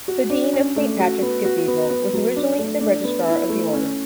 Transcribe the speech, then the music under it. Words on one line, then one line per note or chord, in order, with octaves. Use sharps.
The Dean of Saint Patrick's Cathedral was originally the Registrar of the Order.
F#4
D4
C#4
A3
F#4
B3
F#4
B3
B3
F#3
D4
A3
D4
B3
E4
A3
C#4